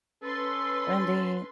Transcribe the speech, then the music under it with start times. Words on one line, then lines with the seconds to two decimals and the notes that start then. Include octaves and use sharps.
And the
0.23 C#4 A4 B4 C6